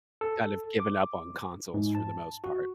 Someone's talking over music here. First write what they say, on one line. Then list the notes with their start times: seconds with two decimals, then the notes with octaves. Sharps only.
kind of given up on consoles for the most part,
0.21 A4
0.80 D6
1.74 G#2
1.95 A5
2.44 F#4